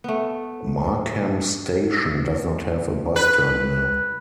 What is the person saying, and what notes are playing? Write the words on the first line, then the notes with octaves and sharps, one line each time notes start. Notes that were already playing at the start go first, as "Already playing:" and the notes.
Markham Station does not have a bus terminal.
A3 B3
B4